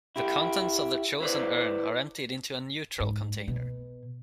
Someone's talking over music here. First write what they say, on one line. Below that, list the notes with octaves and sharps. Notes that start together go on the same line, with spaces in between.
The contents of the chosen urn are emptied into a neutral container.
E4 G4
E4 B4 C5 D5
G#2
B2